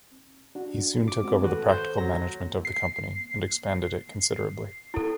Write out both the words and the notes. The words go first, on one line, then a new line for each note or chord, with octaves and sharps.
He soon took over the practical management of the company, and expanded it considerably.
D4 F#4
D6
G#3 C4 F#4
D#3 F#4 A4 B4
C5 G6
F#3 A#6
C7
E4 A4